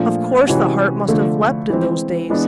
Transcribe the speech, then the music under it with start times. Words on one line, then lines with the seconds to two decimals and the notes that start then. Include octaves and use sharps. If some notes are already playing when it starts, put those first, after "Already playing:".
Of course, the heart must have leaped in those days.
Already playing: A#2 F3 A3 D4
0.47 C3 E3 G#3 C#4 F#4
1.08 D3 F3 A3
1.70 E3 G#3 C4
2.30 E3 G#3 B3 D4